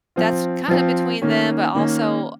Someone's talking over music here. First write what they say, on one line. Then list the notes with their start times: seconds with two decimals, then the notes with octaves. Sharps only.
that's kinda between them, but, also
0.16 F3 C4 F4
0.68 F3 C4 F4
1.22 D#3 A#3 C#4
1.75 D#3 A#3 C#4